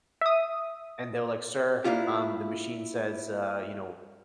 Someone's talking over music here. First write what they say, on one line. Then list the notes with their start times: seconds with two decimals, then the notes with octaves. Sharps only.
and they're, like, "Sir, um, the machine says, uh, you know,
0.21 E5 D#6
1.84 A#3 D4 E4 F4 G4